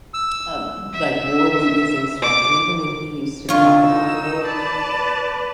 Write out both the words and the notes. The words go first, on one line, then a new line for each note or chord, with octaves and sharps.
Uh, b like, war movies and stuff, and even when he used to talk about the war,
E6
E5
D6
D3 D4 D#4 F4 C#5
D#4 E6
B4 D5 A5